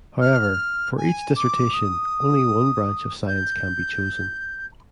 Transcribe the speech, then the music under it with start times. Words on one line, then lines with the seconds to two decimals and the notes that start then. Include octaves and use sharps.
However, for each dissertation only one branch of science can be chosen.
0.20 F6
0.97 G#5
1.35 D6
1.73 D#6
3.27 G6